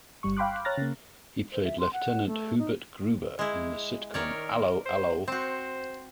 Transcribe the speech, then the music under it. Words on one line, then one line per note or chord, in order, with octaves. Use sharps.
He played Lieutenant Hubert Gruber in the sitcom 'Allo 'Allo!
G1 G2 G3 C#6
F5 G5 B5 C6 D6 F#6
C#5 A#5 F6 F#6 A6 A#6
C#3 A#3
C5
E5
C6
F#5
A3
D#4
G#3 E4
D#3 A#4 C#5 D5
C5
C4 F#4 C5